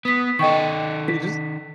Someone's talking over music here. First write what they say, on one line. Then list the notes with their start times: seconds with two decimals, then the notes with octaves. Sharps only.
You just
0.05 B3 D#6 B6
0.39 D#3 A4 D#5 G5 C#6
1.08 B6